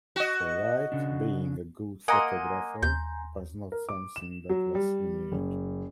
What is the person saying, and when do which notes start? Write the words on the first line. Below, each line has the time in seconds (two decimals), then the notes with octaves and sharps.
For White, being a good photographer was not something that was innate.
0.16 F#4 D#5
0.92 C#3 D4
2.08 A#3 D#5 F#5 G#5 A#5 C6
2.82 D#2 G6
3.72 A#4
3.89 D6
4.16 E7
4.49 F#3
4.75 G3
5.32 F#1